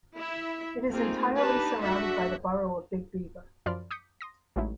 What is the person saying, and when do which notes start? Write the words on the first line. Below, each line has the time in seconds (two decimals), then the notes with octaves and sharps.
It is entirely surrounded by the borough of Big Beaver.
0.16 E4 E5
0.91 A3 A#3 C4 D#4 F4 G#4
1.37 D4 D#4 G4 B4 A5
1.80 A3 D4 F#4 E5 F#5
3.66 F#2 F3 D5 B5 C6 F6
3.91 D6 D#6 G6 B6 C#7
4.21 C6 D#6 A#6
4.56 A1 F#3 G#3 A3 D#4 E4